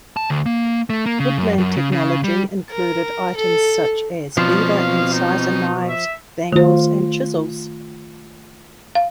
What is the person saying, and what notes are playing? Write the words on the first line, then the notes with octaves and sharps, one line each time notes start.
Woodland technology included items such as beaver incisor knives, bangles, and chisels.
A5
D2
A#3
A3
A#3
C#3
F#2
F#2
C#3
C#3
G3
A#4
A4
B2 F3 C4 D5 F5
D#4
E5
D#3 A3 F4 C5
F5